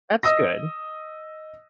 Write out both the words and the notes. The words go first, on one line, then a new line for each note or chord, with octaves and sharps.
That's good.
D#5 D#6 E6 A#6